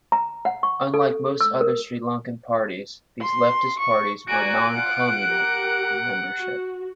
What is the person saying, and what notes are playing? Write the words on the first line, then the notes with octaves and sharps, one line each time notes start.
Unlike most other Sri Lankan parties, these leftist parties were noncommunal in membership.
A#5
F#5
C#6
A4
E6
A#4
C6
C#6
F#4 D5 G#5 A#5 F#6 D7
F4 F#5
G4 A#4
F#4